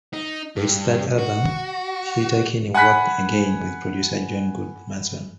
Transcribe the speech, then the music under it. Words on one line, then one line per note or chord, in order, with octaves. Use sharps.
For its third album, Sleater-Kinney worked again with producer John Goodmanson.
D#4
G2
F#4
F#5 G#5 B5 F#6 B6